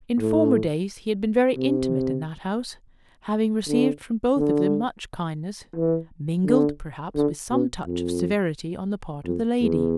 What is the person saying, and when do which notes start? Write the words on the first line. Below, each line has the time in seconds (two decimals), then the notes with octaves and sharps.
In former days he had been very intimate in that house, having received from both of them much kindness, mingled, perhaps, with some touch of severity on the part of the lady.
0.18 A2
1.57 C3
3.67 D3
4.37 D3
5.76 E3
6.46 D3
7.16 D3
7.51 B2
7.86 F2
9.25 F2
9.61 E2